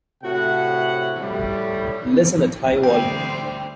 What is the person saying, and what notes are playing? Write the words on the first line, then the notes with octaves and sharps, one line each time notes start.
Listen at high volume.
A2 C3 F#4 F#5
A2 G3
D2 G3 C4 G5